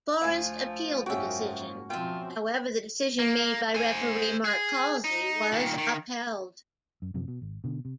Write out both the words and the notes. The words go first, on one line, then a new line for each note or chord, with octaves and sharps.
Forest appealed the decision, however the decision made by referee Mark Halsey was upheld.
D2 F3 A3 F5 G#5
F#1 G#2 F3 A#3 C#4 F#4 E5 G5
B2 F3 C4 F4 E5 G5
A#3
C5 G#5
G#4
D#4
A#2 D#3
D#3
F#2
F#2 C3 F3
B2
G#1
B2 D3
C3